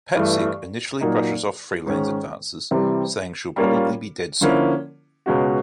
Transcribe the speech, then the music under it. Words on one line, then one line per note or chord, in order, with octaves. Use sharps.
Patzig initially brushes off Frelaine's advances, saying she'll probably be dead soon.
G2 E3 A3
A#2 F#3 A#3 D#4
G#2 D#3 G#3 C#4
C3 E3 G3 C4
G3 A#3 C#4 F4
D3 F3 A#3 C#4 E4
C#2 B2 G#3 C#4 F#4